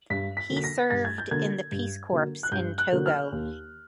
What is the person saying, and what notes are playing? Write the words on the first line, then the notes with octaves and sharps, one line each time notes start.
He served in the Peace Corps in Togo.
G2 B6
B6
D3 F#3 A#3
B6
A#6
G2 A6
G#6
G6
D3 F#3 A#3 G#6
G2
D3 F#3 A#3
F#6
G2 G6
F#6
D3 F#3 A#3
F6
D#2